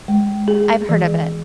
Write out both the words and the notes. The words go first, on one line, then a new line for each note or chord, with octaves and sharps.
I've heard of it.
G#3
G#4
E3